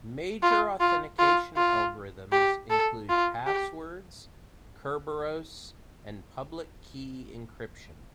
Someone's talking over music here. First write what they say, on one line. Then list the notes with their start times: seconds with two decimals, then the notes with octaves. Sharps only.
Major authentication algorithms include passwords, Kerberos, and public key encryption.
0.43 F4
0.80 F4
1.19 F4
1.57 F4
2.32 G4
2.70 A4
3.09 F4
3.47 G4